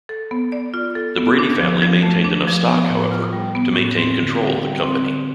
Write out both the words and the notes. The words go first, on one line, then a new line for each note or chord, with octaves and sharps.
The Brady family maintained enough stock, however, to maintain control of the company.
A4
B3
D5
F4
A4
B3
D4
F3
F3
A3
D4
F3
B3
A2
F4
G3
B3
A2
C4
D3
D3
G3
C4
D3